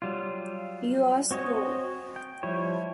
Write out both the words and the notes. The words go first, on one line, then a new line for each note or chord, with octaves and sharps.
You are slow!
F#3 G3 F4
C4 F#4 C#5 D#5 G#5
G5
F3 G3 E4 C#5